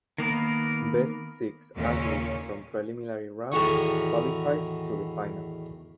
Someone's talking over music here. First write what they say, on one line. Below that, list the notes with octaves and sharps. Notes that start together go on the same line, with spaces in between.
Best six athletes from preliminary round qualifies to the final.
D#3 A#3 B3 A#4
D#2 A#2 C#3 A#3 C#4
E2 A2 D#3 F#4 G#5 C#6